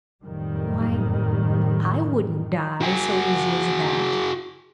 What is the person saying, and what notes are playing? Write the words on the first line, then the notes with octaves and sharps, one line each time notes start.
"Why, I wouldn't die so easy as that."
F#1 F2 A2 D#3 G3
F#4 G#4